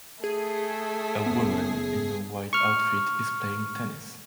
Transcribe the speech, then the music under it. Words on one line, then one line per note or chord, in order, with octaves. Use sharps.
A woman in a white outfit is playing tennis.
A3 G#4
F#1 B3
C#6 F6